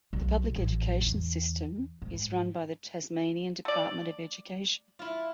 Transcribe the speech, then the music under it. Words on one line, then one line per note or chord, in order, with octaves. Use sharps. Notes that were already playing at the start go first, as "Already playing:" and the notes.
The public education system is run by the Tasmanian Department of Education.
B1
A1
E2
G#2
A3 D5
E4 F4